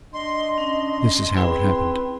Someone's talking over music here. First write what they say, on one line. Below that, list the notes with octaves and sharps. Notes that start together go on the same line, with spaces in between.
This is how it happened.
D4 D#5 C6
C#4 C6
C4 E4 G#4 B4 G5